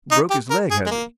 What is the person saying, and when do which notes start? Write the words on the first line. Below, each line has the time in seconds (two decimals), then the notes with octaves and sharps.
"Broke his leg, has he?"
0.11 D#4
0.30 G4
0.50 A#4
0.71 G#4
0.86 G#3
0.91 A#3